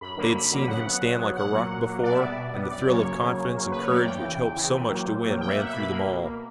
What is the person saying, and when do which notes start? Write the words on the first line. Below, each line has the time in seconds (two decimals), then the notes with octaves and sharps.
They had seen him stand like a rock before, and the thrill of confidence and courage which help so much to win ran through them all.
0.01 F#2 B5
0.17 D3 F#3 A#3
0.34 F#2 B5
0.51 D3 F#3 A#3
0.68 C#3 F#5
0.85 F#3 B3
1.02 C#3
1.18 F#3 B3
1.36 A#2 F#5
1.52 F#3 A#3
1.69 A#2
1.86 F#3 A#3
2.03 B2 D5
2.12 E5
2.19 G3 B3 D5
2.37 B2
2.53 G3 B3
2.70 F#2 D5
2.87 C#3 F#3 A#3 C#5
3.04 F#2
3.21 C#3 F#3 A#3
3.37 C#3
3.55 F#3 A#3
3.71 C#3 B4
3.83 C#5
3.89 F#3 A#3 D5
4.05 E2 G5
4.22 C#3 E3
4.39 E2
4.56 C#3 E3
4.72 A#2
4.89 F#3 A#3
5.06 A#2
5.23 F#3 A#3
5.39 B2 G5
5.48 E5
5.56 A#3 F#5
5.66 E5
5.73 B2 B5
5.91 A#3
6.07 B2
6.24 A#3